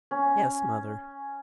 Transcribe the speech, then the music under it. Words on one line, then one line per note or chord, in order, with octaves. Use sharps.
'Yes, mother.
C#4